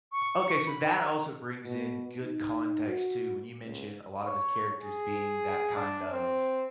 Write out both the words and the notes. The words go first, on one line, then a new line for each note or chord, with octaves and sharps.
Okay, so that also brings in good context too, when you mentioned a lot of his characters being that kind of
C#6
B5
B2
D#4
F#4
C#2
C#5
G#4
D4
C4